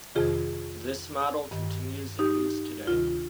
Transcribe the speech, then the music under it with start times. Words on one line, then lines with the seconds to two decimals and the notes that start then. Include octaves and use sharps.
This model continues in use today.
0.15 F2 C3 D#3 F4 G#4
1.51 G2 D#3
2.19 D#4 G4
2.87 D2 C3 D#3 F4